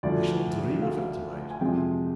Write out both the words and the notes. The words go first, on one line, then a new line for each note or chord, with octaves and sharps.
I shall dream of it to-night.
D2 D3 F3 D5
F5
G#5
F2 C3 F3 G#3 G5